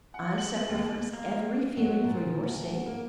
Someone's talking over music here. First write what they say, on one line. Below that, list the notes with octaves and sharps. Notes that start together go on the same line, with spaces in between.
I sacrifice every feeling for your sake.
F#5
F#7
F#7
D#2
A#3
F#3
A#2
D2
A#3